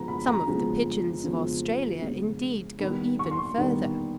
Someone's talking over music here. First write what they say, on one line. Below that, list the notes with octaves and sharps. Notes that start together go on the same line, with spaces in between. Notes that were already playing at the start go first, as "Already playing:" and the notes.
Some of the pigeons of Australia, indeed, go even further.
Already playing: C#3 F3 G#3 B3 A#5
B5
A#5
C#3 F3 G#3 B3 A#5
C#3 F3 G#3 B3
C#3 F3 G#3 B3
D#3 G3 B3 B5
C#6
C6
C#6
D#3 G3 B3